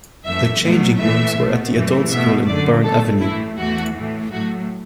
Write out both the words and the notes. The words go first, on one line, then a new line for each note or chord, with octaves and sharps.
The changing rooms were at the Adult School in Bourne Avenue.
F#2 E3 A3 E5
B2 F#3 A3
A2 E3 A3 E5
B2 A3
F#2 E3 A3
B2 A3 E5
F#2 D3 A3 D5
B2 A3 A4
A2 E3 A3 E4
E2 E3 A3 F#4
A2 E3 A3
A2 F#3 A3 F#4